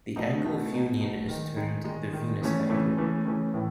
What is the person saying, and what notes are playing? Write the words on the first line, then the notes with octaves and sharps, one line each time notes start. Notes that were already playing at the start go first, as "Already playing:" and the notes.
The angle of union is termed the venous angle.
B2 A3 D#4
B2 A3 D#4
B2 A3 D#4
B2 A3 D#4
D#3 G#3 D#4
D#3 G#3 D#4
D#3 G#3 D#4
D#3 G#3 D#4
C#3 E3 A3 C#4
C#3 E3 A3 C#4
C#3 E3 A3 C#4
C#3 E3 A3 C#4
A2 E3 A3